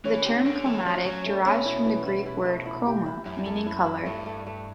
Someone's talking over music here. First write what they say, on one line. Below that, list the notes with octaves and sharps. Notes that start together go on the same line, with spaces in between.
The term "chromatic" derives from the Greek word "chroma", meaning "color".
E3 C#4
D3 G4
D3 C#4
E3 A3
F#3 C#4
F#3 C#4
A3
B2 C#4
B2 E4
E3
E4
E4
A3
E4
G4
E4
F#2 E4
A4
E4
E4
G2 A3
A3
A3